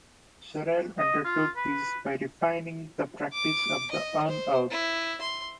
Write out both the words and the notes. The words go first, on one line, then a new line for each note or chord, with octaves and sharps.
Sorrell undertook this by refining the practice of the 'earn-out'.
D#5
F4
B4
D6
D#5
C5
E4
C6